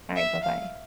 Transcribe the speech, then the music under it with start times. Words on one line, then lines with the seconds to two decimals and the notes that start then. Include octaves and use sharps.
Alright, bye-bye.
0.16 E5
0.43 F5